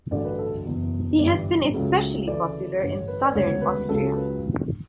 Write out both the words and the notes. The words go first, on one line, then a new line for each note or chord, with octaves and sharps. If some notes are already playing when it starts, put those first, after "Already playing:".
He has been especially popular in southern Austria.
A1 G2 D3 F#3 A3 D5
B4
A4
F#1 E2 B2
G1 G2 E3 G3 D5
C#2 C#3 F#3 A3
D2 C#3 E3 A3 D5
A1 G2 D3 C#5
B4
D5
E1 D2 C#3 G3 C#5
B4
C#2 C#3 F#3 A4
B4